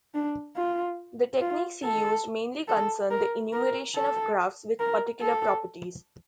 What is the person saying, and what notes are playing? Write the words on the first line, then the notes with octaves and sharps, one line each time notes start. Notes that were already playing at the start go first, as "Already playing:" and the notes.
The techniques he used mainly concern the enumeration of graphs with particular properties.
D4
F4
F4
A4
A4
A#4
A#4
A4
A#4
A4